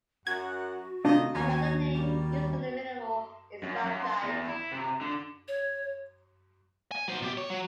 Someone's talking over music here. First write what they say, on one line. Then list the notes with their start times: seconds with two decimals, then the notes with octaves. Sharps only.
Another name used for the mineral is rhabdite.
0.27 F#2 F#4 F#5 G#6
1.05 C3 D#3 A3 C4 D4 F4 D#5
1.35 D#2 C#4 C#5 G#5
1.95 G3 A#3
3.63 F#2
3.86 F#2
4.02 C6
4.23 E2
4.48 E4
4.72 C3
5.01 D3
5.48 C#5
6.92 G#5
7.08 F#3 C5
7.22 B2 G4
7.37 C#5
7.50 F#3